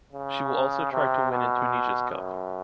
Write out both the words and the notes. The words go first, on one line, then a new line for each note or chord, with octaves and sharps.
She will also try to win in Tunisia’s cup.
C#3
C3
B2
F#2